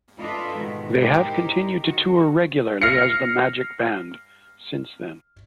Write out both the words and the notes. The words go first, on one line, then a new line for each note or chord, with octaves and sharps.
They have continued to tour regularly as the Magic Band since then.
D4 F4 A4 B4 D#5 E5
G#2 B2 D#3
D#4 E4 G4 A#4 C5
D#3 F#4
F6 A#6 C7 C#7